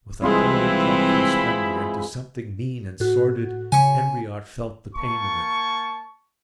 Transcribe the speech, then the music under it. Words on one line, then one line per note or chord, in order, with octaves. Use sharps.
With a horrid drop from splendour into something mean and sordid, Henriot felt the pain of it.
C2 E3 G#3 C4 E4 F4 D#5 B5
A2 F#4
C#3 G#5 C#6
A#3 A5 C#6